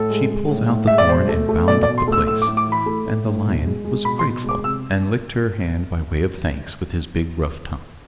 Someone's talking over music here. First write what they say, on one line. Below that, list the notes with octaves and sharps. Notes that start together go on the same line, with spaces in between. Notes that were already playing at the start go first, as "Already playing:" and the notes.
She pulled out the thorn and bound up the place, and the lion was grateful, and licked her hand by way of thanks with his big rough tongue.
Already playing: A2 A4
G#3
G#3
A2
A2
G#3 E5
D5
B2 C5
A3
A3
B2 D5
D5
B2
C6
A3 E6
A2 E6
D6
A2
D6
E3
B5
A3
A2
A2
B2
G#3
G#3
B2 B5
C6
B2
G#3 D6
C3 E6